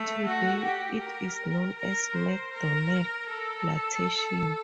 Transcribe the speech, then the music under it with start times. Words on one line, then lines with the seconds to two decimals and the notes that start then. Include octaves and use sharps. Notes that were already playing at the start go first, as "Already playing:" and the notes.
Today it is known as MacDonell plantation.
Already playing: A3
0.27 F#4
0.64 G4
1.02 A#4
1.78 A#4
2.16 C5
2.54 A#4
3.30 A4